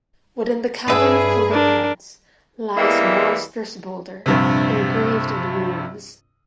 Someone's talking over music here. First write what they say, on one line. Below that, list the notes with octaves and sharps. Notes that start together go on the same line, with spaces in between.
Within the Cavern of Cloven Heads lies a monstrous boulder engraved with runes.
G2 D4 G#4 B4 E5
D4 A#4
E2 E3 G3 G#3 A#3 E5
A#1 G2 C3